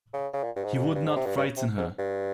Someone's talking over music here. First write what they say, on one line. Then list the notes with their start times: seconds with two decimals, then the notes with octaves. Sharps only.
He would not frighten her.
0.14 C#3
0.33 C#3
0.44 A#2
0.56 G2
0.64 G#2
0.75 F2
0.85 G2
0.95 G2
1.06 G#2
1.16 C3
1.26 G2
1.37 G2
1.57 C3
1.78 G#2
1.99 G2